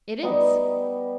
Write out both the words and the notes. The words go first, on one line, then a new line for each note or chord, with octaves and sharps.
"It is."
G3 B3 D#4